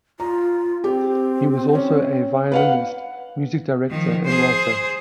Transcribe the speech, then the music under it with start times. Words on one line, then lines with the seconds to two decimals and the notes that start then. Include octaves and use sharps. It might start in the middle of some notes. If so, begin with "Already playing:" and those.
He was also a violinist, music director and writer.
0.20 F4 A#5
0.84 C4 G4
1.75 C#4
2.52 B4 F5 F#5
3.90 D#3 F3
4.25 G#4 C5